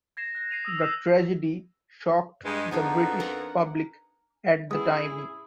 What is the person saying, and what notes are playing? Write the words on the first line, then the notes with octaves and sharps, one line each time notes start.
The tragedy shocked the British public at the time.
G#6 A#6 C7 E7
F#6 A#6
C7 D#7 F7
D#6 E6 D#7 F7
D6 E6 G6 C7 E7
G2 G#3
F2 B3 D4 D#4 G#4
A#4 F#5 A#5
G#3 B3 C#4 E4 G#4 D#6